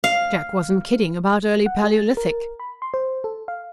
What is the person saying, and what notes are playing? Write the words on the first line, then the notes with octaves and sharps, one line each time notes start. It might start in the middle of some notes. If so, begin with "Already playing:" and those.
Jack wasn't kidding about early Paleolithic.
F5
F#5
G#4
A6
A#4
B5
C6
C5
A4
F5